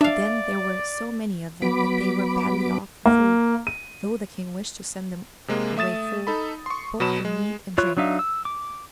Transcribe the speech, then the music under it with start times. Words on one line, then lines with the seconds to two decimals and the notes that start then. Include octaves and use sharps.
But then there were so many of them that they were badly off for food, though the King wished to send them away full, both of meat and drink.
0.01 D4 D5 E5 F5
1.62 F#3 B3 B5 D6
3.06 A#3
3.67 D#7
5.48 C3 G#3 A#3
5.77 A3 E5 D#6 A6 E7
6.27 D#4 A4 B5
6.66 C6 C#6
7.00 B2 F#3 B5 E7
7.25 G#3
7.78 E4 F4 C#5 C#6 F#6
7.97 F#3 D4 D#4 E5 F5
8.19 E6
8.45 D6